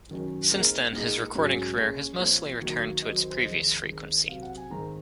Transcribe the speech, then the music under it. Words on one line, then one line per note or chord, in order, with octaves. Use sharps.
Since then his recording career has mostly returned to its previous frequency.
F#2 D#3 F#3 C#4
A#2 G#3 C4 D#4 A#4
A#2 G#3 D#4
G#2 F#3 C#4
A#2 G#3 C#4
A#2 F3 C4 C#5
D#3 F#3 A#3 D#4
D#3 F#3 C4 D#5
C5
C5
F2 C3 D#3 G#3 C4 D#5
D#3 G#3 C4 D#4
C3 F#3 C4 F5
F#5
G#5
G#2 D#3 G#3 C4 D#4 A#5